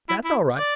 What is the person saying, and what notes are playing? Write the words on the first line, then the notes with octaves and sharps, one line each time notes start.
That's all right.
E4
E4
D5